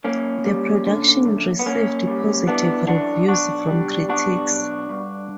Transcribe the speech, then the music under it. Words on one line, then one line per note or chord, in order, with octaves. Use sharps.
The production received positive reviews from critics.
F#2 A#3 C#4
G3
D3
F#2
B3
F#2 A#3 C#4
G3
E3 B3 D4
F#2 D4 F#4
B1 D4 F#4
G3
B2 D4 F#4
B1
G2